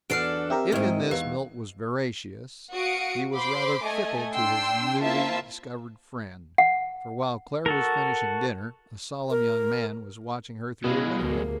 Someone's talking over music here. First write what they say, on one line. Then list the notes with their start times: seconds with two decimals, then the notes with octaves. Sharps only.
If in this Milt was veracious, he was rather fickle to his newly discovered friend; for while Claire was finishing dinner, a solemn young man was watching her through a window.
0.10 E2 D4 F#4 A4 D5 F6 C7 D7
0.50 C4 G4 A#4 E5
0.72 D#2 G#2 D#3 E4 D#5
1.11 E2 B4 F5
2.72 F#4 F5 D#6 C#7 D7
3.35 C5 B5 C6 D6
3.84 A3 D#5 G#5
4.33 D4 G5 C6 E6
5.02 A#3 C4 E4 F4 E5 A5
6.58 F#5
7.66 F#4 A4 A#4
9.30 A#4
10.84 B2 F#3 G#3 E4 F5 B5
11.20 D2 A#3 G4 G#4 A#4